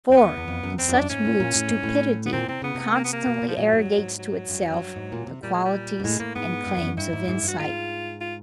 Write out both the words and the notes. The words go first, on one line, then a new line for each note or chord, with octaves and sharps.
For in such moods stupidity constantly arrogates to itself the qualities and claims of insight.
F2 C4
E2 B3
E2
F2
F#2
F2 C4
F2
D4
F#2
G#2 C#4
A2
A#2
A2
G#2
A2
B3
A#2 C4
C3 C4
C#3 B3
C3 B3
A#3
B3
A#3
B2
B2
F3
A#2 F#3
G#2
G2
G#2
F#3
G2
F2
F#2
G2
G#2
A#2
C3
A#2 G3
G#3
G3
G#2
A2 G#3
A2 A#3
G#2 B3
G2
F2
F#2
G2 E4
G#2
G#2
G2
F#4
G#2 F4
F4